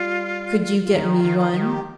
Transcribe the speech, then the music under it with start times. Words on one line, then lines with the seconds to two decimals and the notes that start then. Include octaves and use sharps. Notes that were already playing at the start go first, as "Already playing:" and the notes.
"Could you get me one?"
Already playing: G3 F4
0.83 F4
0.94 D#3 D#4
1.16 F4
1.24 D#3
1.39 F4
1.54 D#3
1.61 G4